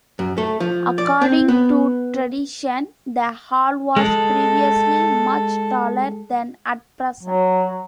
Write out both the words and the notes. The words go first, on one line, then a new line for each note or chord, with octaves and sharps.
According to tradition, the hall was previously much taller than at present.
F#2
A3
F3
D5
C4
B3
G#3 A4
F#3